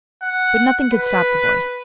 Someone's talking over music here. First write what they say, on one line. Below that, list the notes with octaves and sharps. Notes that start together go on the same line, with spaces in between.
But nothing could stop the boy.
F#5
B4